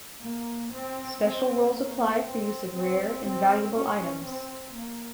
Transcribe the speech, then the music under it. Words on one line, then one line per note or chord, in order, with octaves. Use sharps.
Special rules apply for use of rare and valuable items.
A#3
C4
C4
A#3
C4
C4
C4
C#4
C4
A#3